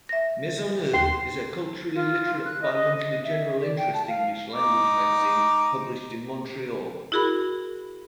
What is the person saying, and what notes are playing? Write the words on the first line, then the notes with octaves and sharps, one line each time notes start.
"Maisonneuve" is a culturally literate bimonthly general-interest English-language magazine published in Montreal.
E5 A#6
D#2 C6
F4
F#6
D#5
D#5
D#5
E5
D5
G5
A5
F5
D#4 D6
E4 F#4 G#4 A#4 B5